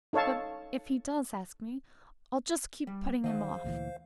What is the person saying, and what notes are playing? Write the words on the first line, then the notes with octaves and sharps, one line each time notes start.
But if he does ask me I'll just keep putting him off.
D#4 A4 C#5 F5 A5
G3
E2 D#3 C5 D#5 F5
D2 A#2 E3